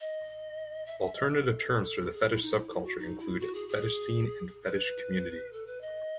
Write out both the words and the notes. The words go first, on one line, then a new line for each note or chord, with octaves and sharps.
Alternative terms for the fetish subculture include fetish scene and fetish community.
D#5
E5
E5
D#5
A4
G#4
E4
D#4
E4
E4
F#4
D#4
E4
F#4
G#4
G#4
B4
A4
B4
D#5